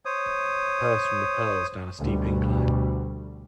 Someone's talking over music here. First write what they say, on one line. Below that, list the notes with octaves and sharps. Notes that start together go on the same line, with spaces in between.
A person rappels down a steep incline.
C5 C#5 D#6
D2 B2 G3